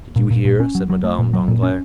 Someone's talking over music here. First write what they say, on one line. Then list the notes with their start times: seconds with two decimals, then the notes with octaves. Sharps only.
"Did you hear?" said Madame Danglars.
0.16 A#2
0.31 A#2
0.45 A#2
0.60 C#4
0.75 F#3
0.90 F#3
1.04 A3
1.19 A#2
1.33 F#3
1.48 A#2
1.63 C#4